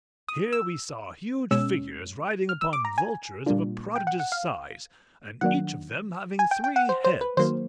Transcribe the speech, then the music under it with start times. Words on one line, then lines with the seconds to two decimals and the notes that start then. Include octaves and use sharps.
Here we saw huge figures riding upon vultures of a prodigious size, and each of them having three heads.
0.28 D#6
0.53 E6
1.51 B2 G#3 C#4 E6
2.49 F6
2.61 E6
2.73 D6
2.85 A#5
2.98 G#5
3.46 A#2 G3 A#3 D4 F4
3.96 G5
4.07 F#5
4.20 F#5
4.32 F5
5.41 D#3 F#3 A#3 D4 F#5
6.39 G#5
6.51 G5
6.64 G5
6.76 F#5
6.89 C5
7.04 C5
7.21 B4
7.37 D#3 F#3 A#3 C5